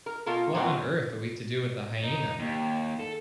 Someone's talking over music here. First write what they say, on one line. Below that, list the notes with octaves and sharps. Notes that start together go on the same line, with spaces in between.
What on earth are we to do with the hyaena?
A#4
B2 F4 A4 A#4
A#2 F#3 B3 C4
D#4
D#2
A4